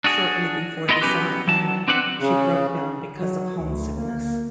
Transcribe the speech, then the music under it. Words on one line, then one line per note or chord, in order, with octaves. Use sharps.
Shortly before the semi-final, she broke down because of homesickness.
D4 F#4 G#4
B3 E4 D#5 A#5 C6
F#3 G#3 B3 C#4 G4 B4
F#3 A5
C4 D4 B4 F#5
C#3
F#3
D2
A#3